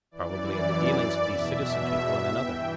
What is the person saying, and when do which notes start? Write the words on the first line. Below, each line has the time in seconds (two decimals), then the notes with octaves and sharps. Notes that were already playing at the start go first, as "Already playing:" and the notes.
Probably in the dealings of these citizens with one another.
0.11 F#2 E3 D5
1.23 E2 B2 E5
2.35 G2 E3 G5